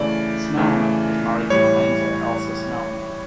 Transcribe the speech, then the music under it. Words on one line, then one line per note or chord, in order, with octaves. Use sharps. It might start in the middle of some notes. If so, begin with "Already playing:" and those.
Snellman was married to the painter Elsa Snellman.
Already playing: C#3 E3 A3 D5
C#3 E3 A3
A2 E3 G3 C#5